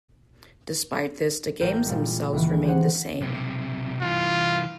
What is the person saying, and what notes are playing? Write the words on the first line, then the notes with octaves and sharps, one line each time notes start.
Despite this, the games themselves remain the same.
A1 A#4 G6
A#2 G3 G#3
C#2 D#3 E3
G#3
G4 G#4 C5 F#5
B1 C3
C2 E3 F4